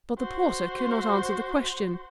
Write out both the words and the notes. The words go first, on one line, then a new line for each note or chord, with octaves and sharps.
But the porter could not answer the question.
F#4 C5